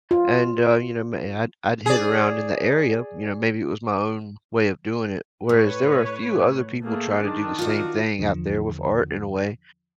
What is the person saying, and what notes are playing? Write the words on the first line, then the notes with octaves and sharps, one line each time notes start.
and, uh, you know, my I'd I'd hit around in the area, you know, maybe it was my own way of doing it. Whereas there were a few other people trying to do the same thing out there with art in a way,
F4
G#4 D5
A2 B4 C#5
A3 A#3 G#4
D#3 D4
F4 F#4
E2 D3 F3